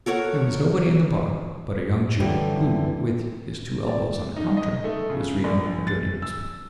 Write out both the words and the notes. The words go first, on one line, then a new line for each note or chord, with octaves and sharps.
There was nobody in the bar but a young Jew, who, with his two elbows on the counter, was reading a dirty newspaper.
A4 A#4 C#5 F#5
F#2 D3 E3 G3
D5
D#4
D#5
A3
C#3
A#1
A6
E6